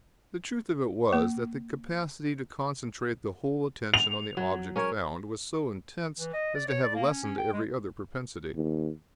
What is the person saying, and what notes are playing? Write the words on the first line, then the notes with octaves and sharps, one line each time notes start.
The truth of it was that the capacity to concentrate the whole attention on the object found was so intense as to have lessened every other propensity.
A#3
F7
F#3
C#4 A#4 C#5
E3
D#5
D5
C#5
D5
A#3
C#4
C#4
G5
G#3
D#2